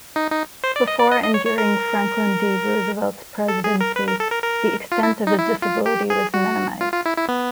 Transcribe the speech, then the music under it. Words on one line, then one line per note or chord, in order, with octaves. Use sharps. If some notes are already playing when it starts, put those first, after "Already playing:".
Before and during Franklin D. Roosevelt's presidency, the extent of his disability was minimized.
D#4
D#4
C5
D5
D#5
D5
D#5
D#5
C#5
C#5
A#4
A4
G#4
A#4
B4
A#4
A4
A#4
A#4
F4
E4
D#4
E4
F4
G4
G#4
F#4
F4
F4
E4
E4
B3